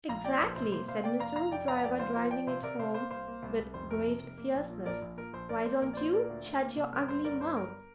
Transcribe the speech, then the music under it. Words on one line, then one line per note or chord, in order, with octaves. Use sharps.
"Exactly," said Mr. Hoopdriver, driving it home with great fierceness. "Why don't you shut your ugly mouth?"
A#1 F5 A#5
A#2 D5 G5
A#1 C5
C3 C5
A#3 C5
C3 C5 F5
A#3 D5 G5
F1 F5 A#5
F1 F5 A#5
F1 D5 G5
F1 F5 A#5
F2 D5 G5
F1 C5 F5
F3 C5 F5
F3 D5 G5
C3 C5 F5
C3 A#4 D5
C3 C5 F5
A#3 C5 F5
C2 C5 F5
A#3
C2
C2
F1 C5
F2 A#4
C3
F1
A#3
A#1
A#2
A#1 A#4 D5
A#1
A#2 A#4
A#1 C5
A#1 A#4 D5
A#3 C5
A#1 A#4
D5
A#2 C5
A#2 A#4 D5
D2
D2
A#3
C3
G1 A#4
G1 C5
G1 A#4 D5
G1 C5
G3 A#4